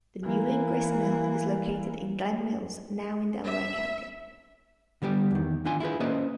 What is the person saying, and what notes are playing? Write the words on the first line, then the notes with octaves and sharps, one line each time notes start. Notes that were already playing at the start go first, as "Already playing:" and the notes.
The Newlin Grist Mill is located in Glen Mills, now in Delaware County.
E3 A#3
E5
D3 G3 B3 G4
E2 D#3
D#3 D4 F4 G#5 C6
E4 F4 G#4 B4
A#3 C#4 B4 C5 D5 D#5